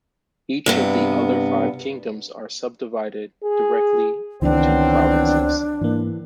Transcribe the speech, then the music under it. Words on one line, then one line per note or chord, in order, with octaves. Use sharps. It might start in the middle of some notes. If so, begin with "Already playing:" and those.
Each of the other five kingdoms are subdivided directly into provinces.
G2 C3 B3
G#4
C#2 D#3 E3 F#3 B3 C4 D4
G#2 E3 A#3